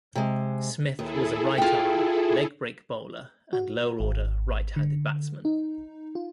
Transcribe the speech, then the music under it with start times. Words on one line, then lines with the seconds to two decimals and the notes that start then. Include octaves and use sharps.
Smith was a right-arm leg-break bowler and lower-order right-handed batsman.
0.15 C3 G#3
0.99 D#2 E4 G#4 A4
1.58 F4 G5
3.53 F#4
4.00 G#1
4.76 D3
5.45 D#4
6.15 F4